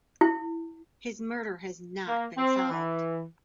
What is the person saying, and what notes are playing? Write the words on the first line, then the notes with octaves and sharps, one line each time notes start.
His murder has not been solved.
E4
A#3
C4
E3